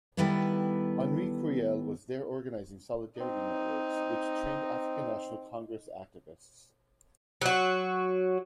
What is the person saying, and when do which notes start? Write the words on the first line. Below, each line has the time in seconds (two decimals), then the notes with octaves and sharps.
Henri Curiel was there organizing "solidarity networks," which trained African National Congress activists.
0.17 D#3 G3 B3 E4 A4 B4
3.20 C4 D#4
7.42 F#3 F#4